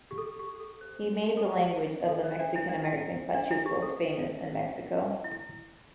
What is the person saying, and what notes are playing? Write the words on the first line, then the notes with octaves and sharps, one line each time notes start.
He made the language of the Mexican American pachucos famous in Mexico.
G4
A4
G4
G4
A4
C5
A4
G4
A4
C5
D4 D5
E4
D4
E4
D4
E4
G4
A4
E4